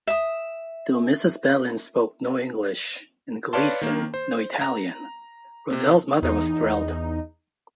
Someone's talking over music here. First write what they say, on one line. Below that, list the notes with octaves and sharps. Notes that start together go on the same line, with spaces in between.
Though Mrs. Belline spoke no English and Gleason no Italian, Roselle's mother was thrilled.
E5 D#6
B4 C#5 D5 F5 A5 C6
D#3 A#3
C5
A#5
C3
E2 D#4